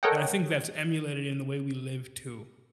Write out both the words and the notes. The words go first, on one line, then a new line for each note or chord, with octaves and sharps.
And I think that's emulated in the way we live, too.
A4 A#4 C#5 D#5 F#5 G5